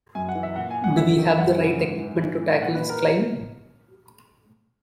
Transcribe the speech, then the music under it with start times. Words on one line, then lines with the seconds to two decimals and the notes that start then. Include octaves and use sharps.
Do we have the right equipment to tackle this climb?
0.15 F#2 G#5
0.29 F#5
0.35 E3
0.43 E5
0.56 A#2 F#5
0.71 G#5
0.84 F#5
0.97 F#2 E5
1.18 D#3
1.39 F#2 F#5
1.58 C#3 E3
1.79 G#2
1.99 E3
2.21 G#2
2.41 E3
2.62 A#2 F#5
2.75 B4
2.89 A#4